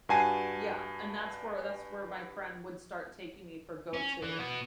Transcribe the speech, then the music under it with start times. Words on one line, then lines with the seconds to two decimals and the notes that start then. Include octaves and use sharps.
Yeah, and that's where that's where my friend would start taking me for go-to
0.09 G2 F#4 G#5 A5 C7 D#7
3.93 C#4
4.23 E3
4.39 B2 B3